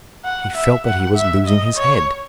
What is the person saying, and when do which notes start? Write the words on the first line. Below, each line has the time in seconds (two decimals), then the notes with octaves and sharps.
He felt that he was losing his head.
0.25 F#5
0.55 E5
0.86 F#5
1.16 E5
1.47 D#5
1.77 C#5